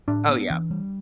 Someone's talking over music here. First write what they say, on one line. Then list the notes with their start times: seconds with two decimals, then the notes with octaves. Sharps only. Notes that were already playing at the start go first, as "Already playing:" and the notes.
oh yeah.
0.08 A2 D4
0.29 B3
0.50 E3
0.71 G3